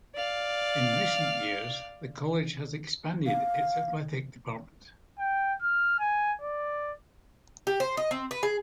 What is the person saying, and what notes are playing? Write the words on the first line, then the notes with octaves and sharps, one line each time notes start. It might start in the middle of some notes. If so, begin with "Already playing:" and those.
In recent years, the college has expanded its athletic department.
D5 F5
F5
G5
F6
G#5
D5
G4
C5
D#5
C4
B4
G#4